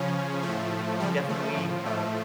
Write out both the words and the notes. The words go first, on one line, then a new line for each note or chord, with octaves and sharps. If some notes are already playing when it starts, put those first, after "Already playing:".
eh, d definitely, uh,
Already playing: C#3 F3 C#4
F3 A3
A2
C#3 F3 G3
A3
A2 F3
A3